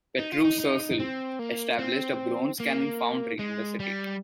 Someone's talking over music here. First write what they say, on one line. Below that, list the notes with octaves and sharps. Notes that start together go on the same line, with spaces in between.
Petru Cercel established a bronze cannon foundry in the city.
D#4
F4
D#4
D#4
C4
A#3
C4
A#3
G#3
G3